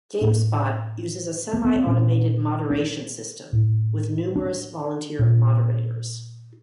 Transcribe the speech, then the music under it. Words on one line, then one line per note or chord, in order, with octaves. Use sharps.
GameSpot uses a semi-automated moderation system with numerous volunteer moderators.
A2 D4
A#3
B3
C4
A#2 C#4
D4
A2
D4
A#2